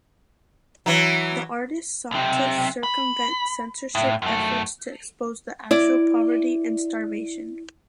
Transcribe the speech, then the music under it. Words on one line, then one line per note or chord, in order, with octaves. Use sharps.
The artists sought to circumvent censorship efforts to expose the actual poverty and starvation.
E3 F#3
B1 C3
B5
A2
F#2 A3
E4 D5